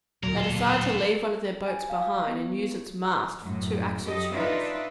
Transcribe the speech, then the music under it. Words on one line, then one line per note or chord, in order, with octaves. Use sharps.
They decided to leave one of their boats behind, and use its mast for two axle-trees.
E1 D2 A#2 F#3 A#4
F4 A4
G#5
F5
B3
F#2 A2 F#3
F#2 G4 A4 D#5
D4 D#4 F4 B4 E5